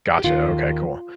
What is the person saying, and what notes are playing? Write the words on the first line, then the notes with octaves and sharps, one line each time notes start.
Gotcha, okay, cool.
G4
D#2 D#3 F4